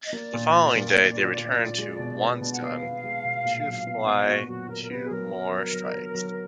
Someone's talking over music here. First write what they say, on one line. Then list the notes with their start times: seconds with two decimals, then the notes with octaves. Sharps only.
The following day they returned to Wonsan two fly two more strikes.
0.04 D#5
0.13 A#3 D5
0.34 A#2
0.54 F4
0.76 A#3
0.96 A#2
1.17 F4
1.37 A#2
1.59 F4
1.78 G#3
1.99 B2
2.21 B3
2.41 B2
2.52 F#5
2.62 B3 F5
2.83 B3
3.04 G#3
3.24 B2
3.45 A#2
3.66 F#3
3.87 B3
4.06 B3
4.23 F4
4.27 A#2 F#4
4.48 F#3 F#4
4.68 B3 A#4
4.82 A#4
4.90 B3 B4
5.02 G#4
5.10 F#3 A#4
5.31 F#3
5.52 F#3
5.73 F#3
5.93 F#3
6.15 F#3